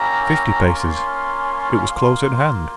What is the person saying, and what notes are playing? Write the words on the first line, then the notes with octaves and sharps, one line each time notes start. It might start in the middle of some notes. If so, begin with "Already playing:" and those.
Fifty paces--it was close at hand!
Already playing: A#3 C#4 E4 G4 A#5
A#3 C#4 F4 C6
A#3 F4